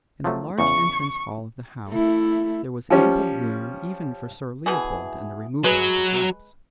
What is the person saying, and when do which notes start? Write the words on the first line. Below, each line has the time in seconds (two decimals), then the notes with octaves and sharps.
In the large entrance hall of the house there was ample room even for Sir Leopold and the removal of his wraps.
0.24 F3 F#3 A3
0.59 E2 C#3 C#6
1.90 A3 E4
2.90 F3 G3 C#4
4.66 B2 E3 G#4
5.64 F#3 G#3 G#4 B4